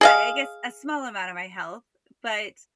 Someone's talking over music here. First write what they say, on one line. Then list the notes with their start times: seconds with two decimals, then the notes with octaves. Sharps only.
I I guess, a small amount of my health, but
0.01 G#4 D#5 F5